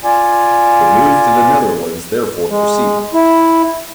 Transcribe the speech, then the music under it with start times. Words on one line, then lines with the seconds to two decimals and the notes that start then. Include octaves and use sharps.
The move to the Netherlands therefore proceeded.
0.04 F4 D5 G#5
2.51 G#3
3.14 E4